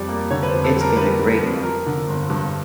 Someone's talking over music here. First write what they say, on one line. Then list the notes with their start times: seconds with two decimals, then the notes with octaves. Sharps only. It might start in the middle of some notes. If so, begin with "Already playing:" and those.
It's been a great run.
Already playing: F2 G3 D5
0.09 A#3
0.31 D3 C#5
0.43 B4
0.48 C5
0.53 F2
0.64 A4
0.76 G3 A#4
0.97 G3 B4
1.19 G3
1.41 F2
1.63 F3 A#4
1.86 D3
2.08 G1
2.30 G2